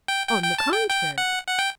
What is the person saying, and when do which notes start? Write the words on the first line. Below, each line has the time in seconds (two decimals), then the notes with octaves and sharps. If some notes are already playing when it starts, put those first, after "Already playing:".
On the contrary!
0.08 G5
0.28 G5
0.44 G5
0.58 A5
0.73 G5
0.89 G5
1.18 F#5
1.48 F#5
1.59 G5